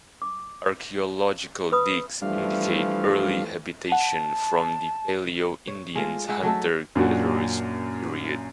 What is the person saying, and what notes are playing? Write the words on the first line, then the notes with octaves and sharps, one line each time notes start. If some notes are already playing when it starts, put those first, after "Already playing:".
Archeological digs indicate early habitation from the Paleo-Indians Hunter-gatherers period.
D6
B4 B5 D#6
E3 F3 G3 A3 D4 F5
F#5 A5 D#7
C#5
G#3 A3 F4
G#3 E5 F#5
F#3 A3 D#4 A4
F#2 A#2 D4 F#4